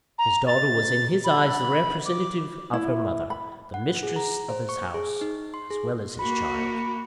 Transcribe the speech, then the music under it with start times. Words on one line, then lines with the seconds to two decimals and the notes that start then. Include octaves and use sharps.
His daughter was in his eyes the representative of her mother: the mistress of his house, as well as his child.
0.18 A#5
0.47 A6
1.24 B5
2.05 D6
2.73 E4
3.30 B5
3.74 F#5
4.03 G#4
4.16 A#5
4.49 C5
4.69 C#6
4.94 G#4
5.21 D#4
5.54 C6
5.71 G#4
6.19 A#3 F#4 B5